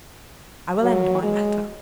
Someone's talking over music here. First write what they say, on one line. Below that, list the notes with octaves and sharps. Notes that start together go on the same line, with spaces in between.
I will end my letter.
F#3
G#3